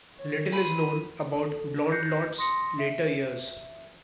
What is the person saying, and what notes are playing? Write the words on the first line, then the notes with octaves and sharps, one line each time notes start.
Little is known about Blondlot's later years.
C#5
C5 B5 D#6
A4
F#6 G6 A#6 C7 C#7
C6 D#6 A#6 C#7
E5